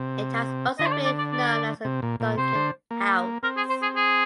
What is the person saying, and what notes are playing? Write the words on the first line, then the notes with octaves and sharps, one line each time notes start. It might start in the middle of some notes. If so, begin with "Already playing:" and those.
It has also been known as the Dugan House.
Already playing: C3
D3 D#5
C5
D5
D5
D5
D5
C3
A#2
A#2
C3 C5
D3
A#3
C4 A#4
G#4
C5
G#4
G#4